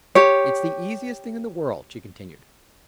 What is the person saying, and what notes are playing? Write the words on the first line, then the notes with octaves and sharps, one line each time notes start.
"It's the easiest thing in the world," she continued.
G4 C#5